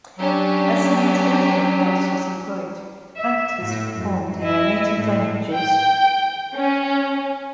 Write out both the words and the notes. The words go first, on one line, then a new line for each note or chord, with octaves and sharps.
As an international cast was employed, actors performed in their native languages.
F#3 C#4 D4 G4
E5
A2
F#2
E4 D#5
A2
G5
C#4